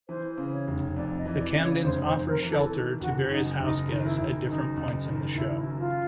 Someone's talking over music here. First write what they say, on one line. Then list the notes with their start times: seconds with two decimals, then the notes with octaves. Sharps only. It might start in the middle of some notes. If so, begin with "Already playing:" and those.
The Camdens offer shelter to various house guests at different points in the show.
0.09 E3 C5
0.38 C#3
0.52 C#5
0.68 F1
0.96 F2 D5
1.19 D#5
1.26 E3
1.35 D#5
1.40 D5
1.52 C#3 D5
1.63 C#5
1.84 F1 C5
2.06 C5
2.13 F2
2.28 A#4
2.43 E3
2.50 A4
2.71 D#3
3.01 F#1 F#4
3.30 F#2 D#4
3.59 F#1 D#4
3.88 D#3
4.03 E4
4.17 F#1
4.47 F#2 D#4
4.77 F#1
5.05 D#3
5.34 F#1 E4
5.64 F#2
5.78 F4